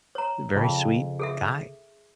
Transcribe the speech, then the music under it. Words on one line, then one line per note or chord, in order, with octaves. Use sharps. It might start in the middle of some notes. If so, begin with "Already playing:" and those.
very sweet guy.
C#5 A#5
F2 C#3
G#4 A4 E5